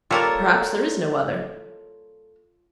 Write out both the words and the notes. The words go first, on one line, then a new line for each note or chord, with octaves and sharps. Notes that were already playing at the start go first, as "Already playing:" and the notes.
Perhaps there is no other.
G3 A#3 F4 A4 A#4 C#5